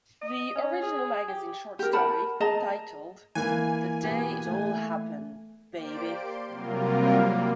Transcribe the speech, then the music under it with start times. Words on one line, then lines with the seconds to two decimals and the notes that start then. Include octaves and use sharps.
The original magazine short story, titled The Day It All Happened, Baby!
0.22 D#5
0.56 C#4
0.83 G#4
1.28 G4
1.79 G4 A#4
1.93 A#4 F#5 A5 B5
2.40 G#4 D#5 A5 A#5
3.35 E3 A#3 G#5
4.03 B2 B3 G4
4.47 A3
5.73 A#3 G4 C5 D5 D7
6.13 C6
6.47 C3 F#3 G3 A#3 F4 A#4
7.20 A#3